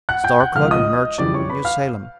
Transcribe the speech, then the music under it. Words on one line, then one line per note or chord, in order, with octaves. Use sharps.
Store clerk and merchant, New Salem.
F#5 F#6
G5 G6
F#5 F#6
C#2 C#3 F3 F5 F6
D#5 D#6
F2 C#3 E3 G3 D5 D6
C#5 C#6
B4 B5
F5 F6